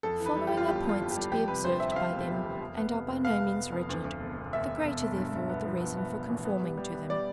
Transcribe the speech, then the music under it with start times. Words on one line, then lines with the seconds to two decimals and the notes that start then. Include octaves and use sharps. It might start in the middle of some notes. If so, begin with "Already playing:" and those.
The following are points to be observed by them, and are by no means rigid; the greater therefore the reason for conforming to them.
0.03 F2 A4
0.20 E3
0.26 B4
0.36 G3
0.47 E3 G4
0.57 F4
0.68 G1 G4
0.84 F2 F4
1.00 G1
1.11 G4
1.17 G3
1.32 F3 G4
1.48 C3 B4
1.64 D2 C5
1.80 F3 E5
1.92 E5
1.96 D2 F5
2.13 E1
2.28 F3
2.44 E1
2.60 F2
2.77 B3
2.93 F1
3.09 F1
3.25 B3 F5
3.41 B3
3.57 B3
3.72 F2
3.89 D2
4.05 D2
4.20 E1
4.37 E1
4.53 E1 E5
4.69 E1
4.85 E1
5.01 E1
5.17 G2
5.33 G2
5.49 B3
5.65 F3
5.81 B3
5.97 B3
6.14 B3
6.29 A1
6.45 B3
6.62 G3
6.78 G3
6.94 B3
7.10 G3 D5